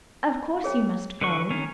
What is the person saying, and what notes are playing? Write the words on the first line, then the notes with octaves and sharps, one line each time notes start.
Of course you must go.
G#4 C#5 G5
D3 B4 C#6
D#3 C#4